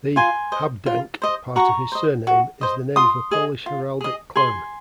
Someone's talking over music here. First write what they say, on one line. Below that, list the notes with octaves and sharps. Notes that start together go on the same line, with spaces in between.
The "Habdank" part of his surname is the name of a Polish heraldic clan.
F4 G#5 C6
C5 D#5
F4
C5 D#5
F#4 A#5 C#6
C5 D#5
F#4
C5 D#5
F4 C6 D#6
G#4 D#5
F4
G#4 D#5
G#4 G#5 C6